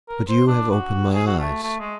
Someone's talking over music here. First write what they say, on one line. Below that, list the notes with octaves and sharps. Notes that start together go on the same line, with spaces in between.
But you have opened my eyes.
A#4
C5
D4
F#4
G#4
F#4
A3
A3
G#3